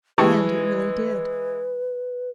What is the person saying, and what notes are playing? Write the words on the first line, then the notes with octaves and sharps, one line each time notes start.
And it really did.
E3 G#3 G4 B4 A5 C#6